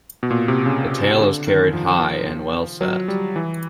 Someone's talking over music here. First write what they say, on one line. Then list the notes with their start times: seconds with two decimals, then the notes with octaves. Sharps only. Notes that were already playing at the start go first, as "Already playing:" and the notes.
The tail is carried high and well set.
0.23 B2
0.31 A#2
0.48 C3
0.66 C#3
1.21 D3
1.47 D#3
1.73 F3
2.81 F#3
3.08 G3
3.36 E3